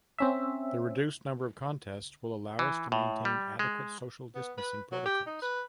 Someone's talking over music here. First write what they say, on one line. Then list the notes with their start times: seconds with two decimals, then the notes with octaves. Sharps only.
The reduced number of contests will allow us to maintain adequate social distancing protocols.
0.19 C4 C#4 E5
2.59 E3
2.92 A2
3.25 G3
3.59 G#3
4.35 B3
4.58 B4
4.92 F#3
5.05 G4
5.27 D#4
5.42 B4